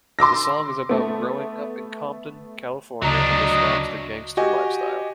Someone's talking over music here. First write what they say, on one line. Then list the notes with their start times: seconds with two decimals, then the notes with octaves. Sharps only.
The song is about growing up in Compton, California, and describes the gangster lifestyle.
0.19 C6 D6 E6 A#6
0.89 A3 B3
3.02 D2 C#3 F#3 D4 D#5 A#5
4.37 F#4 G4 D#5 G#5